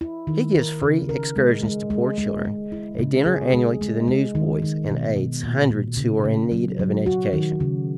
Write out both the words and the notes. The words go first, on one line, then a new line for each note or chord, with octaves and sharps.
He gives free excursions to poor children, a dinner annually to the newsboys, and aids hundreds who are in need of an education.
E4
D#3
A#4
C#3
A#4
G#3
G#3
G#3
G#3
G#3
E4
C#3
G#4
G#3
G#3
G#3
D#3
D#3
B2
B2
A#2
A#2
C#3
C#3
F#3
F#3
F#4
D#3
C#3